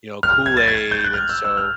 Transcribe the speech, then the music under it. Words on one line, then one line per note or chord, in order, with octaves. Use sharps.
you know, Kool-Aid, and so,
F6
G#6
A6
G#6
G6
F#6
F6
E6
E6
F6